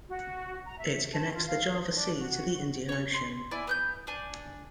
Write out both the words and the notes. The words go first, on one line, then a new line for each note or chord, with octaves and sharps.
It connects the Java Sea to the Indian Ocean.
F#4
A#5
E5
A5
F4
F5
D4
F#4
C#5 C#6
C6
E4 D5 F#5 G#5
B3 F#6 G6
D4 G#5